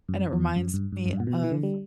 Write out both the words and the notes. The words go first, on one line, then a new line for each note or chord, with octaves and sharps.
and it reminds me of,
F#2
E2
F#2
G2
G2
F#2
G2
A#2
B2
E3
D3
G3